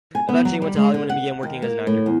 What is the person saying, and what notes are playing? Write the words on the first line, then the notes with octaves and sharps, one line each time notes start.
Eventually he went to Hollywood and began working as an actor.
G#5
B3
F#3
G3
G#3
D3
F#5
D#2
A#3
A2
E2